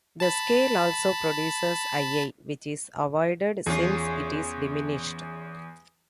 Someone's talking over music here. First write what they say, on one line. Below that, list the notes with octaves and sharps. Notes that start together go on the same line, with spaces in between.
The scale also produces ii, which is avoided since it is diminished.
A5 B5
E2 C#4 F4 G#4